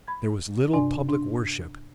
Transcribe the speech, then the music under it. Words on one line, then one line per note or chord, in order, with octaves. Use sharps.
There was little public worship.
B5 G#6
G2 C3 D4 D5 G#5
D4